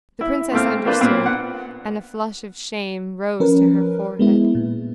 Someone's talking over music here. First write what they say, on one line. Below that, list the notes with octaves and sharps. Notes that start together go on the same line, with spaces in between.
The princess understood, and a flush of shame rose to her forehead.
E4
A#2 A3 C4 F5
A#3 C4 D4 F4 B4 C5
A#2 C4 B4
F#5
F3 C#4 A#4 B4
G#3 B3 E4
A#2